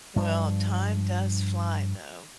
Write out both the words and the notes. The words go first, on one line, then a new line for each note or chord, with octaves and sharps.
Well, time does fly though.
G2 F3